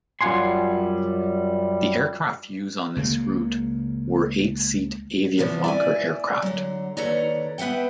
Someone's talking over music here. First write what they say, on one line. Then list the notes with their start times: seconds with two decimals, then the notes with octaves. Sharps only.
The aircraft used on this route were eight-seat Avia-Fokker aircraft.
0.21 F#2 G3 F4 F#5 G#5 C6
2.96 C#2 C#3 A#3
5.38 E2 C3 E3 F3
5.64 D5 E5 G#5
6.42 D3 F#3
6.97 D#2 A4 B4 C#5 D5 A#5
7.58 B3 B4 E5 F#5 G5